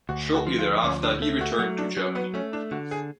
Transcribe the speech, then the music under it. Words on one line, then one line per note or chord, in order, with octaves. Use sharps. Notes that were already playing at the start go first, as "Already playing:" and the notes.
Shortly thereafter, he returned to Germany.
D2 F#4
F#4
F3
F4
D2 C#4
D4
A3
F#4
F#3 F#4
D4
F#3 C#4
B3
A3 C#4
D4
D3 F#4
G#4